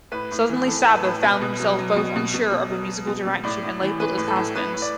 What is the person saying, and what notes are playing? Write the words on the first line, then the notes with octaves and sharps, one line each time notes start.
Suddenly Sabbath found themselves both unsure of their musical direction and labeled as has-beens.
A2 B4
A2
E3
E3 A4
A2
B4
A2
B2 B4
B2
F#3
F#3
B2
B2
B2
B2
F#3
F#3
B2
B2
A2 D5
A2
E3
E3 B4
A2
A4
A2
A2 B4
A2
D5